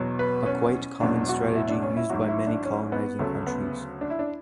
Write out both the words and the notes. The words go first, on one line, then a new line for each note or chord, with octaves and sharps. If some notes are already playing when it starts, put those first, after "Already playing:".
A quite common strategy used by many colonizing countries.
Already playing: E2 B2 F#3
B4
C#4
E1 E2 B2 F#3 D4
F#4
E4
D4
C#4
E4
A1 G#2 F#3 F#4
E4
D4
C#4
B3
D2 C#3 F#3 A3
B3
D4
E4
D4